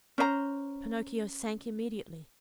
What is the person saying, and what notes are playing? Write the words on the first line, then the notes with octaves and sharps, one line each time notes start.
Pinocchio sank immediately.
C#4 C5 D5 A#5